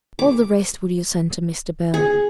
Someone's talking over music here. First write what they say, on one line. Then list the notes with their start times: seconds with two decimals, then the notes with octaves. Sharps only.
All the rest will you send to Mr. Bell?
0.19 D6
1.94 G#4